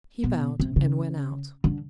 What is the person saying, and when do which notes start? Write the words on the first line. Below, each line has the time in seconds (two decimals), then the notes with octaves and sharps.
He bowed and went out.
0.24 B2
0.60 C3
0.76 C#3
1.64 D3